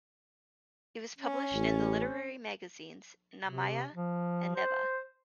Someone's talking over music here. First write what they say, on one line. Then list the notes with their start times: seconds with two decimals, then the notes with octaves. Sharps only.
He was published in the literary magazines Znamya and Neva.
1.19 C#4
1.53 A1
3.45 C3
3.94 F3
4.56 C5